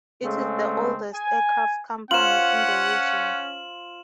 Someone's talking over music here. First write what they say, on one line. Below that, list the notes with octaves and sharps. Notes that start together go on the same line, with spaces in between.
It is the oldest aircraft company in the region.
C#3 G#3 A3 C4
G#5
C#4 F4 C5 F#5 E7 F#7